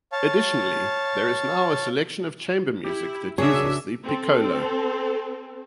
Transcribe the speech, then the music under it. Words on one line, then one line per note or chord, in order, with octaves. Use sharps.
Additionally, there is now a selection of chamber music that uses the piccolo.
C#5 F5 A5
E4 G4
C#3 D4 F#4 G#4 A#4 C#5 E5
C4 A4